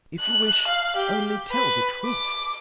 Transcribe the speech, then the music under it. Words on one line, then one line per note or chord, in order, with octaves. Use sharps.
"If you wish--only tell the truth."
F#6
F5
G4
B4
D6